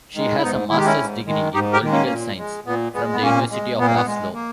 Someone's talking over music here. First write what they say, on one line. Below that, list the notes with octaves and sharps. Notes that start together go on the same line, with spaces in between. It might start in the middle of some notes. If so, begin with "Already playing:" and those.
She has a master's degree in political science from the University of Oslo.
D#3 G#3
E4
G#2 B3 D#4
D#3 G#3 E4
G4
C#4 E4
G#2
D#3 G#3
G#2 D#4 G4
G4 A#4
D#3 G#3
A#3 C#4
A#2
G#3
A#2 B3
G#3 B3
B3
A#2 A#3 C#4
G#3
A#2 B3
A#3
B3
G#3
A#3